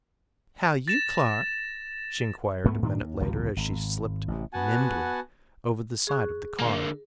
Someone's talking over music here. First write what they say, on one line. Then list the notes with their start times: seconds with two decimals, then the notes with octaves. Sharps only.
"How you, Clark?" she inquired a minute later as she slipped nimbly over the side of the car.
0.88 A6 A#6 E7
2.64 D2 G#2 A3 B3
2.82 A2 D#3 C#4 D4
3.01 D#2
3.20 G#1 C#2 C3 F3
3.56 G#1
4.28 A1 C3
4.52 B3 F#4 F#5 G#5 A5
6.07 G#4 C#6 F#6
6.59 D3 A#3